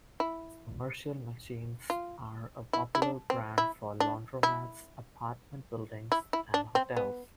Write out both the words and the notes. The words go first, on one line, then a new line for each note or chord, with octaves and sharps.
Its commercial machines are a popular brand for laundromats, apartment buildings, and hotels.
E4
F4
E4
E4
D4
C4
E4
D4
E4
E4
E4
D4
C4
B3